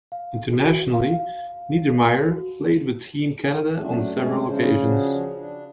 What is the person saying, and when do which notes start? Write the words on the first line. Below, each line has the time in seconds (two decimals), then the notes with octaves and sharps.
Internationally, Niedermayer played with Team Canada on several occasions.
0.12 F5
0.53 F#4
0.94 F5
1.13 F5
2.28 F#4
3.79 F#2 A3 D4
4.15 G#3 A3 C#4
4.48 C#3 D4 C5
4.81 F3 D4 F#4
5.38 D4